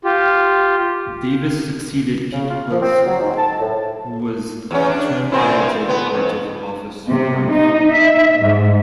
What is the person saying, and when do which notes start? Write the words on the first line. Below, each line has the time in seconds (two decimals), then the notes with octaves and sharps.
Davis succeeded Pete Wilson who was term limited out of office for life.
0.04 F4 G4
2.33 C#3
2.49 F4
2.70 F3
2.82 C4
3.06 F#3
3.20 G#2
3.37 A5
3.60 A2
4.71 E2 C#4
4.90 D4
5.32 A#2 C4 E4
5.89 B3
6.14 F2
7.08 C3
7.49 D#4
7.91 E5
8.40 G#2